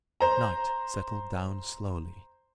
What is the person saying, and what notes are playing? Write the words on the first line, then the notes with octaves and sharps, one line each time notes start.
Night settled down slowly.
C5 A#5